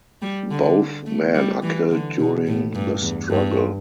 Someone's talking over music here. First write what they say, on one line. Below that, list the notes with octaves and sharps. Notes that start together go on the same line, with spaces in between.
Both men are killed during the struggle.
G3
D3
A3
G3
E3
D3
B2
A2
G2
E2
G2